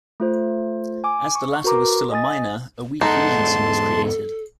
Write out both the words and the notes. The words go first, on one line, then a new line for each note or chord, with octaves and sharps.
As the latter was still a minor, a weak regency was created.
A3 F4 C5
G#5 D6
C#6
F#4 A#4 B4 A#5 C6 D6
D#5 G#5 D#6 A6
E2 G#2 D#4 A4 F#5 A5 C6